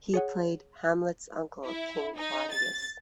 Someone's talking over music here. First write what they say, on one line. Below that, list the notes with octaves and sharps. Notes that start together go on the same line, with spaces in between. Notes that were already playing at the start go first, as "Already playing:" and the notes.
He played Hamlet's uncle, King Claudius.
G#4 C#5 F#5
E4
D#4
A6